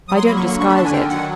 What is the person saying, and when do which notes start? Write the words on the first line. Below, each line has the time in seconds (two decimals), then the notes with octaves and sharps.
I don't disguise it.
0.08 F#3 D#6
0.17 C6
0.26 A#3 B5
0.37 C#6
0.43 D3
0.49 C#6
0.60 D4 C#6
0.68 B5
0.76 D3 A5
0.85 G#5
0.93 D#3 G5
1.10 F#3 F#5